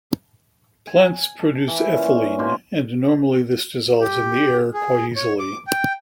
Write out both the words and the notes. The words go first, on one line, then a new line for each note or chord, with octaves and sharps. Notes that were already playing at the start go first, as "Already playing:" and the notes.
Plants produce ethylene, and normally this dissolves in the air quite easily.
G#5
A5
E3
A#2 C#4
B2 A#3 C5 C6
G4
G#4
C#5
D6
G5